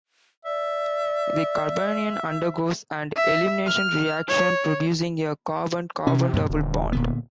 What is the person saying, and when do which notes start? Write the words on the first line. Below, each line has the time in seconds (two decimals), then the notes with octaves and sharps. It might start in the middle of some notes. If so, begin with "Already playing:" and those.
The carbanion undergoes an elimination reaction producing a carbon-carbon double bond.
0.46 D5 E5
3.16 E5
3.66 F6
4.28 C#5
6.07 C3 C#4
6.33 F#2 A#2 C#3
6.50 D#1 D3
6.93 A#2 D3 B3